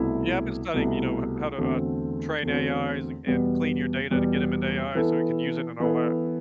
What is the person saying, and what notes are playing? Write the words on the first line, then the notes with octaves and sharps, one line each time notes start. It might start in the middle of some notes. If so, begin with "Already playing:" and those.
Yeah, I've been studying, you know, h how to, uh, train AIs, and and clean your data to get 'em into AI so you can use it and all that.
Already playing: C2 B2 A3 E4
C2 B2 A3 E4
E2 D3 A3 C4 F#4
E2 D3 A3 C4 F#4
E2 B2 G3 B3
E2 B2 G3 B3
E3 B3 E4 A4
E3 B3 E4 A4